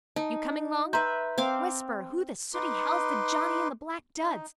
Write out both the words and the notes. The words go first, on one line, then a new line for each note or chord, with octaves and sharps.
You coming long? Whisper, who the sooty hell's the johnny in the black duds?
D#4 A5
B4 E5 A#5 C6 G6
C4 F5 D6
D#4 B4 C6 D6
D#4